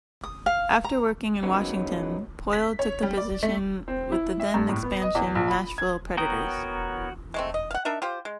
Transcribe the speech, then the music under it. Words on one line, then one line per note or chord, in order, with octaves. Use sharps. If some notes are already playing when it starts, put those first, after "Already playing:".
After working in Washington, Poile took the position with the then-expansion Nashville Predators.
D#6
F5
A#5
D#3 F#3 G#3 B3 C#4
B6
C#5
G3
D5
A3
C4
E4
E5
G2
A2
B3
D#5
E2
A#1
B5
G#6
B3 F#4 A#4 C#5 G5 A#5 D#6
G#3 A3 C4
D#5
F5 F#5
D4 D#4 A#4 E5
F4 G4 C5
G#3